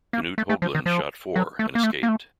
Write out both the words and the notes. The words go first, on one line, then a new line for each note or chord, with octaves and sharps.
Knut Haugland shot four, and escaped.
A#3
A3
A3
F3
D#3
F3
F#3
A3
A#3
A3
A#3
A3